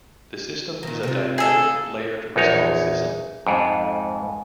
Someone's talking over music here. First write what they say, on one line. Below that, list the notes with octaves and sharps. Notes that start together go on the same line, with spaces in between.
The system is a dynamic layered response system.
A#2 D#3
C3 F4
D2 G#4 A4 F5
A#1 E2 D#4 C#5
F2 G#2